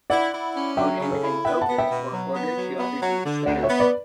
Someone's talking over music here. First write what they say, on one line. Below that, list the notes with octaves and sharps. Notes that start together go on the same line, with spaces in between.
Hoden and Toeppel were ordered to other duties later.
E4 D5 F#5
E4
C#4
F#3 E5 G5
C#3
A4 C#5
E4
B3 E5 G5
F#5 A5
B3
E5 G5
B2
F#3
B3
F#3
B3
F#3
D3
D2 D5 F#5
C#5 E5
B3
B4 D5